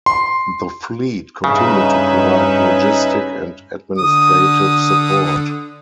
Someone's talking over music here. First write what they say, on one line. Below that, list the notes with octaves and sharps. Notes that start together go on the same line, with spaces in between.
The fleet continued to provide logistic and administrative support.
C6
G2 C#3 C#4 D#4 B4 E5
D3 D#6